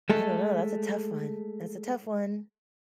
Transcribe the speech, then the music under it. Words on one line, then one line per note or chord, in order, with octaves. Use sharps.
I don't know. That's a tough one. That's a tough one,
G#3 A3 A4